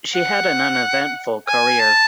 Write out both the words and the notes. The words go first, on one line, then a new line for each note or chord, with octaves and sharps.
She had an uneventful career.
F#5
G#5
A5